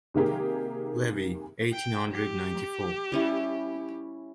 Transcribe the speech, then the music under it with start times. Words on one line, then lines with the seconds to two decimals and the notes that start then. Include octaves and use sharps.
Lévy, eighteen hundred ninety-four.
0.14 C3 D#3 A#3 G4 G#4
1.73 G5
2.12 G4
3.12 G3 C#4 E4